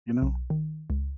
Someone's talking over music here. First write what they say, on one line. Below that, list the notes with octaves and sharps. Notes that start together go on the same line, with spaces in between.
you know?
B1
D#3
C#2